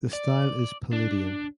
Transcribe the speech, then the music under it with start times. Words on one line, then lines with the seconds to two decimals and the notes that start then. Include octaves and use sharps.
The style is Palladian.
0.13 D5
0.93 D4